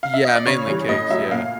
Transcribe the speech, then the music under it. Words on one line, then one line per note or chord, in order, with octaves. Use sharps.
Yeah, mainly cakes, yeah.
F5
E5
D#5
D5
C#3 C#5
E3 G3
A2 D#5
F#3 E5
A#2 F5